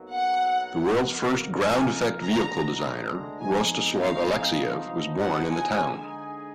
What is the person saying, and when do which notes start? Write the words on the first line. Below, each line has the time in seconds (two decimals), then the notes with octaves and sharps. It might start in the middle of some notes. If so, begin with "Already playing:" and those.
The world's first ground effect vehicle designer Rostislav Alexeyev was born in the town.
Already playing: B1 B2 F#3 A#3
0.11 F#5
1.00 F2 F3 A#3 D#4 A#4
1.61 G#5
2.20 D2 D3 G#3 A#5
3.40 F2 F3 G#3 B3 D#4 G#5
4.00 F5
4.60 D#2 D3 F3 B3 D#4
5.20 F#5
5.50 G#5
5.79 D3 G#3 D#4 G#4